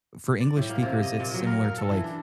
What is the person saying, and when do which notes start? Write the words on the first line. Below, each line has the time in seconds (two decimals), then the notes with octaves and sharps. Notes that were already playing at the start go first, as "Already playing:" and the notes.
for English speakers, it's similar to, like,
0.40 D5
0.57 A2
0.69 A#3
0.83 C3
1.03 D#5
1.20 A#2
1.34 F#3
1.46 A#4
1.64 A#4
1.78 A4
1.91 E3
2.04 D4